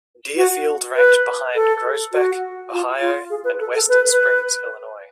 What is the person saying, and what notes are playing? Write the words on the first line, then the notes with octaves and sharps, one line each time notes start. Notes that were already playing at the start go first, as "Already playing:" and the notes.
Deerfield ranked behind Groesbeck, Ohio, and Western Springs, Illinois.
F#4
B4
A4
F#4
F4
F4
G#4
B4
A4
A4
B4
B4